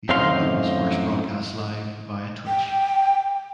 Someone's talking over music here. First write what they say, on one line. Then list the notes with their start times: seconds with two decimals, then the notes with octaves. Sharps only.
The album was first broadcast live via Twitch.
0.09 F#2 A2 C4 D#4 F5 C6
2.47 G5